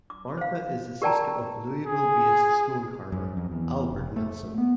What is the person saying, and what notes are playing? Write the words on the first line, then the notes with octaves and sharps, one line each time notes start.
Martha is the sister of Louisville based stone carver Albert Nelson.
D6
C5 F5
G4 A#4 D5 G5 A5 A#5
G#4
F#2
F2
E2
F1
A3
B3